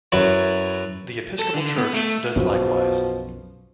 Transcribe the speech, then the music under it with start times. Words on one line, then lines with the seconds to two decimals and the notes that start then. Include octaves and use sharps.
The Episcopal Church does likewise.
0.12 F#2 F#3 E4 B4 B5
1.39 A4
1.54 D3
1.78 B3
1.94 A3
2.37 B1 F#2 B2 F3